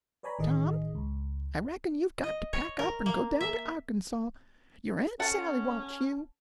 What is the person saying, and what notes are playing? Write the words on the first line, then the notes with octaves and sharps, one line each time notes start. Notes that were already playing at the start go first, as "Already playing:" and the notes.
"Tom, I reckon you've got to pack up and go down to Arkansaw--your aunt Sally wants you."
B4 C#5 D5 G#5 A#5 B5
A1 D#3 G#4 D#5
C#2
D#5
C#5
A#4
A#3
E5
C#4 A4 F#5 A5